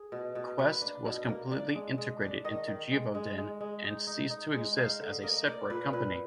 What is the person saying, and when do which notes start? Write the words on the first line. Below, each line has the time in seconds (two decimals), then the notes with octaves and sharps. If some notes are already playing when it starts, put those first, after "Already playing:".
Quest was completely integrated into Givaudan and ceased to exist as a separate company.
Already playing: G#4
0.12 B2
0.35 B2
0.59 A#3 B4
0.82 D4
1.05 B2
1.29 A#3
1.51 D4 D5
1.75 G#3
1.98 G#3
2.22 D4
2.44 D#3 D#5
2.68 D#3
2.91 G#3
3.15 G#3
3.38 G#3
3.61 G#3
3.84 D#4
4.07 D#4
4.30 D#4
4.54 G#3
4.77 D#4 F5
5.00 D3
5.23 A#3 D#5
5.47 A#3 D5
5.70 A#2 B4
5.93 A#2 B4